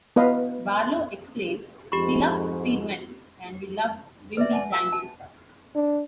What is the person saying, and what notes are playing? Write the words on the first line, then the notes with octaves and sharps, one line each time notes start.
Barlow explained, "We loved speed metal...and we loved wimpy-jangly stuff".
B3 B4 D#5 F5
F2 G#2 G4 B5 C#6
B4 D5 E5
F#5 G#5 A5
E6
A5
D4